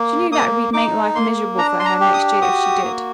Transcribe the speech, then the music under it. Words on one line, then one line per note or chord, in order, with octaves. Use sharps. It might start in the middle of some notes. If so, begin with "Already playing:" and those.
She knew that we'd make life miserable for her next year if she did.
Already playing: A#3
A#3 D#6
D#4 D6
A#3 C6
D4 A#5
C6
A#5
G4
D#6
F#4 D#6
A#3